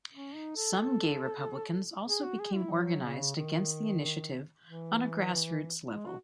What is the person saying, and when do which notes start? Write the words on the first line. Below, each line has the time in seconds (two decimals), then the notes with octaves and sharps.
Some gay Republicans also became organized against the initiative on a grassroots level.
0.14 C#4
0.35 D#4
0.56 A4
2.07 G#4
2.23 F#4
2.40 G#4
2.56 E4
2.72 F#3
3.04 C#3
3.36 D#3
4.65 E3
5.94 G#3
6.07 F#4